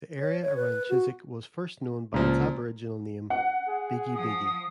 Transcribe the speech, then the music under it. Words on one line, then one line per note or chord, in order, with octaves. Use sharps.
The area around Chiswick was first known by its Aboriginal name Bigi Bigi.
C#5
C#5
B4
F#4
C#2 A#2 F3
F#5
G#4
F3 D#6